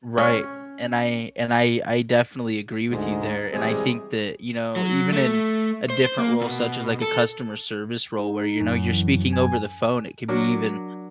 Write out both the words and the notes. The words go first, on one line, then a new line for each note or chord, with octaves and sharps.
Right. And I and I I definitely agree with you there, and I think that, you know, even in a different role such as, like, a customer service role where, you know, you're speaking over the phone, it could be even,
C#4
D2 G#2 G#3
C3 E3 G3 G#3 C4 G#4
F#3
A3
C5
A#3
B2
A4
D#4
F#2
E3
G#5
F#3 D4 A#4